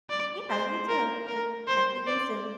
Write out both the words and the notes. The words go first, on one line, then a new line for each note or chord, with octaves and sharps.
Yeah, you too, and talk to you again soon.
D5
C5
A#4
A#4
C5
D5